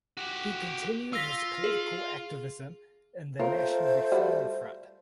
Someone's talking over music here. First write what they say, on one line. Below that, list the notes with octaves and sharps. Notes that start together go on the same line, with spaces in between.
He continued his political activism in the National Reform Front.
F#4 G4
F4 E6 A#6 B6
G#4
A3 F4 A#4 C5 C#5
G3 F#4